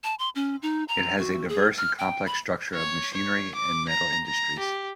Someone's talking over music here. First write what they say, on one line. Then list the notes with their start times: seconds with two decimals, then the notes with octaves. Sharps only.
It has a diverse and complex structure of machinery and metal industries.
0.04 A5
0.19 C6
0.35 C#4
0.62 D#4
0.88 A#5
1.18 F#4
1.49 G#4
1.78 F6
1.99 G5
2.26 B5
2.74 C#5
3.14 C#5
3.55 D6
3.89 A#5
4.27 A#5
4.59 G4